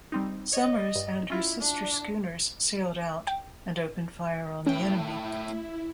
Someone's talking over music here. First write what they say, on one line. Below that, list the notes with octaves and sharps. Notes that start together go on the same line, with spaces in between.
"Somers" and her sister schooners sailed out and opened fire on the enemy.
G3 C4 D#4
C#5 D#5
G2
C#4 E4 F4
D4
G5
A2 C#4 E4 G5